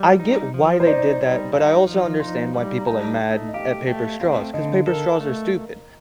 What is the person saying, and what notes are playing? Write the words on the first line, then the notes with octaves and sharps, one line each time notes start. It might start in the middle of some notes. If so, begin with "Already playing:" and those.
I get why they did that, but I also understand why people are mad at paper straws, cause paper straws are stupid.
Already playing: G3
D#4
F3
C5
D#4 D5
G3
D#4 F5
F3
D#4 C6
G3
A#5
D#4 A5
A3
D#5
G4 F5
A3 G5
C4 F5
D3 D#5
A4 A#4
A3